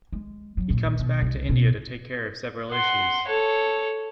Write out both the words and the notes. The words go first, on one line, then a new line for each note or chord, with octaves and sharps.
He comes back to India to take care of several issues.
G#3
F#3
A#2
B2
C2
B2
F#5 C6
A4 C#5